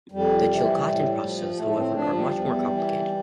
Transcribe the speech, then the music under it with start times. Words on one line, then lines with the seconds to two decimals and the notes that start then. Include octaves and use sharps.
The Chilcotin processes, however, are much more complicated.
0.12 F2 G3
0.48 C3 E3
0.85 A2
1.21 F3
1.57 A2 A3
1.76 C4
1.94 F3 D4
2.13 G3
2.31 E2
2.67 E3